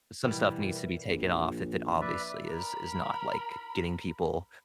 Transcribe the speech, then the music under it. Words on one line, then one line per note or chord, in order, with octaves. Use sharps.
Some stuff needs to be taken off if it obviously is is not, like, getting people,
B2 E3 G3 A#4
A#1
B4 D5 E5
A#4 B5